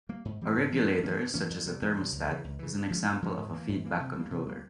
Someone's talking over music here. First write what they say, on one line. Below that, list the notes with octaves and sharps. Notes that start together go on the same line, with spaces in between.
A regulator such as a thermostat is an example of a feedback controller.
G3 A#3
G#2
E3 G3 C4
G#2
E3 G3 C4
G2
E3 A#3 C#4
G2
E3 A#3 C#4
E2
C3 G3
E2
C3 G3
C#2
C#3 E3
C#2
C#3 E3
G2
F3 G#3 C#4
G2
F3 G#3 C#4
G#2
E3 A#3
G#2
E3 A#3
C3
G3 A#3
C3
G3 A#3